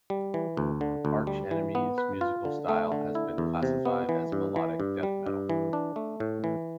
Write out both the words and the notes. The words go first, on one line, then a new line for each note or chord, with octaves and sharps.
Arch Enemy's musical style has been classified as melodic death metal.
G3
E3
D2
D3
D2
G3
E3
B3
B4
F4
D3
A3
D3
E4
E2
C3
B3
E3
G2
E3
G2
G3
G2
E3
D4
A3
A2
E3